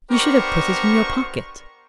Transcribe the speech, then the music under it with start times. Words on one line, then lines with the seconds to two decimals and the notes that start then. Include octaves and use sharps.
You should have put it in your pocket.'
0.11 B3 D4 G4 A#4 C5 C#6